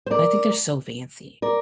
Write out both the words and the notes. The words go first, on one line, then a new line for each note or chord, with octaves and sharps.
but I think they're so fancy.
C5
A#4 D5
A#4 D5